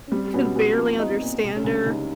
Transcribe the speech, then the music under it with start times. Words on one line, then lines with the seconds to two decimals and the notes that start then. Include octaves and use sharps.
you could barely understand her,
0.07 C#4
0.12 G3 C4
0.34 B2 C#4
0.56 B2 C#4
0.77 F3 B3
0.99 D#4
1.10 C4
1.21 A#2
1.43 C3
1.57 C#4
1.64 C#2 D4
1.86 C#2 D#4